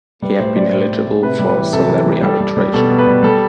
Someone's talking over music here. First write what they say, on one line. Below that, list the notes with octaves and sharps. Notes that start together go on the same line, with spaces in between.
He had been eligible for salary arbitration.
G3 B4
A2 C5
G3 D5
A2 C5
A2
A2
C3 B4
G3
B4
E3
C3 A4
E3
G3
G3 A4
G3
G3
B2 A4
B2
B4
G3
G3 A4